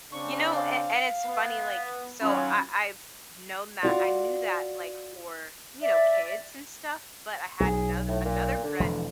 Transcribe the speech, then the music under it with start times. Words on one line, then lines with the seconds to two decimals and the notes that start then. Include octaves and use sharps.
you know, a and it's funny, like, so I I've known that I knew that like for, you know, kids and stuff, but I had anoth another friend
0.12 C#3 C4 D4 C#6
0.55 F5
1.26 B3
2.21 D#3 F#3 C#4 F4 B5
3.83 F4 F#4 D5
5.81 D5 E5
7.60 B1 G#4
8.08 A2
8.25 A#2
8.63 D3
8.80 E1 E3 F3